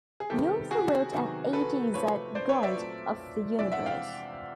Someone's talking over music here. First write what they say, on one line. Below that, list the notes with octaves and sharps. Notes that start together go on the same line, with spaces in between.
He also wrote an A-Z guide of the Universe.
G#4
C3 D#3 G3 B3 G4 A4
F#4 G#4
C3 D#3 F#3 B3
A4 B4
C3 F3 A3 C4 B4 C#5
C5 D5
B4 C#5
D5 E5
A#2 F#3 A3 C4
F2 C3 E3 G#3 D5 E5
E5 F#5
F5 G5